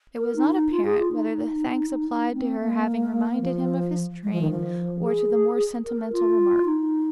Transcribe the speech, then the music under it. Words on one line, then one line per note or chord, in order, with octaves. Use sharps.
It was not apparent whether the thanks applied to her having reminded him of his train or to the more sentimental remark.
A#4
D#4
D#4
F4
G#4
F4
D#4
C4
A#3
F3
G#3
F3
D#3
F3
G#4
A#4
F4
D#4